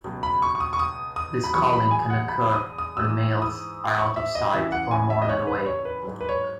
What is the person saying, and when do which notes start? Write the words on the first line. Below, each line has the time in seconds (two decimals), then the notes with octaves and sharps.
This calling can occur when males are out of sight or more than away.
0.04 C#2 B2 F#3
0.23 B5
0.42 C#6
0.55 C#6
0.60 D#6
0.73 C#6
0.79 D#6
1.16 D#6
1.44 B5
1.54 E2 B2 F#3 C#6
1.73 B5
1.91 G#5
2.10 F#5
2.29 B5
2.54 D#6
2.78 D#6
2.97 E6
3.04 G#2 E3 D#6
3.42 D#6
3.98 C#6
4.16 E5
4.35 D#5
4.54 C#2 C#3 E3 E5
4.72 F#5
4.91 G#5
5.10 E5
5.22 D#5
5.29 C#5
5.47 B4
5.66 C#5
5.85 B4
6.03 G#2 F#3
6.21 B4
6.29 C#5